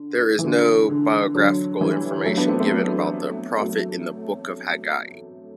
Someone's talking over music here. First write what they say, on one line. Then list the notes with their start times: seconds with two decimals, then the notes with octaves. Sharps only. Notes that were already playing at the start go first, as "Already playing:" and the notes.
There is no biographical information given about the prophet in the Book of Haggai.
Already playing: D3
0.39 E3
0.44 D3
0.89 D3
1.35 D3 F#3
1.81 E3 G3
2.25 F#3 A3
2.37 B3 D4
2.48 A3 C4
2.60 A3 C4
2.70 F#3 A3
3.62 F#3 A3